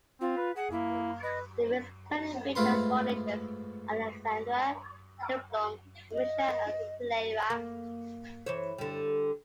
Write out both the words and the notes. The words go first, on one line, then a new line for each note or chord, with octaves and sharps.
The Mist Continent features four nations: Alexandria, Lindblum, Burmecia, and Cleyra.
C4 F4
B4
G#4 F#5
A#3 E4
B4 D#5
G#2 A3 F4 B4 C6
D#5
A#3
E3 C5 C#5
D3 G3